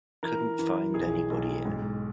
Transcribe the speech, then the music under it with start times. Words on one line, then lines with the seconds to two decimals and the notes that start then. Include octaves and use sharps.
Couldn't find anybody in.
0.23 E3 A#4
0.59 E3
0.94 B1 G#4
1.30 B1
1.65 G#2